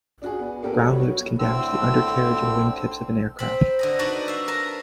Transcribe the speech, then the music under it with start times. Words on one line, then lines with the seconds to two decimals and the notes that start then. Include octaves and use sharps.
Ground loops can damage the undercarriage and wingtips of an aircraft.
0.22 D4 F#4 G#4
0.39 B3
0.62 A#3 B3 D4 G4 A4 A#4
0.79 G3 F#4 A4 C#5
0.99 F#3 B3 F#4
1.39 A2 D3 C4 E6
3.39 C4 B5
3.79 D3 D#5 A#5
3.99 D4 D#4 F#4 B4 D5
4.28 E5 F5
4.48 A#4 B4 A5 A#5